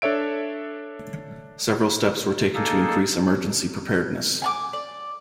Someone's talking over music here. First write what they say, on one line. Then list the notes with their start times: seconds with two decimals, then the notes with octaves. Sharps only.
Several steps were taken to increase emergency preparedness.
0.02 D4 A4 C#5 E5 D7
2.55 A#3 D#4 G#4 A4
4.42 G#5 A5 D6
4.73 D5